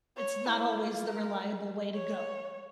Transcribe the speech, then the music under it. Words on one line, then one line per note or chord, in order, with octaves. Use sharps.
it's not always the reliable way to go.
C#5
E4
F4
A#4
C#5